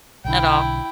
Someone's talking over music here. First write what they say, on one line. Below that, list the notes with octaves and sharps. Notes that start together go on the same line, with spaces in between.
at all.
B1 D3 E4 G5